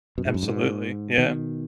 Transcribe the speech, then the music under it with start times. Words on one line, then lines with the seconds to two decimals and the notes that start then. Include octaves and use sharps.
Absolutely. Yeah.
0.18 F#2 B2
0.26 G#2
0.34 F#2
0.43 G#2
1.18 B2 D#3